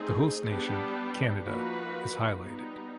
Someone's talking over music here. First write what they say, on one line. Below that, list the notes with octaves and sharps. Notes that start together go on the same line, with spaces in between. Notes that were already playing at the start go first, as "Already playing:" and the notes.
The host nation, Canada, is highlighted.
Already playing: A3 C4 D#4 G#4
G3 B3 D4 G4 B4
F3 A#3 D#4 F#4 B4
G3 B3 D#4